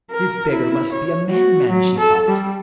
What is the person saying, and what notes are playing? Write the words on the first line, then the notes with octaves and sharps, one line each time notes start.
This beggar must be a madman, she thought.
A#4
E4
C#5
F#4
F#3
A4
G3